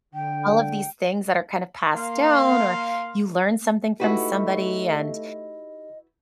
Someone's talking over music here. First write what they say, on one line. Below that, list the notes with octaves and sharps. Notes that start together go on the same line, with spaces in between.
all of these things that are kind of passed down or you learn something from somebody and
D3 G5
A#3 F5 C6
A3 D#4 E4 F#4 G4 B4 D#5